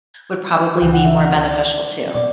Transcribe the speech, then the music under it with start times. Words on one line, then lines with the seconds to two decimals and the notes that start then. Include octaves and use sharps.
would probably be more beneficial too.
0.82 C#2 C#3 E3 G5
0.93 F#5
1.05 E5
1.18 F#5
1.48 D5
2.15 B2 D5